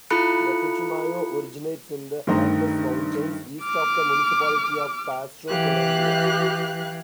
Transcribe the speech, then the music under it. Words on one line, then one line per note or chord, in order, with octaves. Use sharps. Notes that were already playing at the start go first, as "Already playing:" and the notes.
The Putumayo originates in the Andes Mountains east of the municipality of Pasto, Colombia.
E4 F4 A4 B5 F#6 C#7
G2 D#3 A3 C5 D#5 A#5
D6 F6
E3 G4 F5 F#6